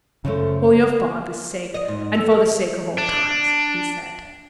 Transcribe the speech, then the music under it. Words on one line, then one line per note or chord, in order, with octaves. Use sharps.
"For your father's sake, and for the sake of old times," he said.
F#2 C#3 F3 A3
D#5
G#2
A4
A#4
D4